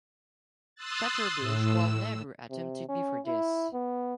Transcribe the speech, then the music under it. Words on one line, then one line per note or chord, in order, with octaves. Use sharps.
Chaturbhuj was never attempted before this.
C6 D#6 E6 F#6 A6
A2 E6
C3
C#4
E4
B3